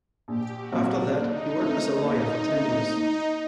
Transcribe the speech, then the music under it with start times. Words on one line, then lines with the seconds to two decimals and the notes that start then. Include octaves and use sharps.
After that, he worked as a lawyer for ten years.
0.28 A#1 G4
0.57 F#4
0.72 A#2 F#3 C4
0.87 D4
1.16 D#2 D#4
1.60 D3 A3 C4
2.03 D#2 D#4
2.47 D3 A3 C4
2.91 D#2